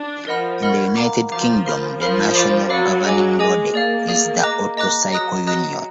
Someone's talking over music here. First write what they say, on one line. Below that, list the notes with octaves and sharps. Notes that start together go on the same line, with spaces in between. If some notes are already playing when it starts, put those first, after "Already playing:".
In the United Kingdom, the national governing body is the Auto-Cycle Union.
Already playing: D4
F3 A#4 D#5 F#5 B5 F6
A#4 D#5 F#5 B5 F6
F5 A#5 D6
F3 F5 A#5 D6
A#4 F5 B5 F6
F3 A#4 F5 B5 F6
D5 F5 B5 D6
F#3 D5 F5 B5 D6
G#4 D#5 G#5 D6
G#3 G#4 D#5 G#5 D6
A#3 G#4 D5 F5
G#4 D5 F5
D#5 A#5 D6 F#6
D#5 A#5 D6 F#6
F#3 D#5 A#5 D#6 F#6
F#3 D#5 A#5 D#6 F#6